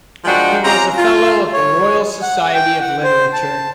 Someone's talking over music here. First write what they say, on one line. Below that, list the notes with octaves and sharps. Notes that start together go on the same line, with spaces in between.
He was a fellow of the Royal Society of Literature.
F3 G#3 D4 F#4 A#4 G5
C4 C#4 F4 G4 A#5
F4
C#5
F#5
G5
F#5
C5
A5